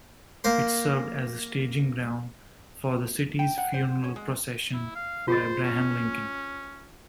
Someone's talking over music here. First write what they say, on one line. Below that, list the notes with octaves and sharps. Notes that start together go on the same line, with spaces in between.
It served as the staging ground for the city's funeral procession for Abraham Lincoln.
A#3 C5 C6
G5
F#5
C5
C#4
G#3
E4
F5
F4 G#4 C5 D#5
C#4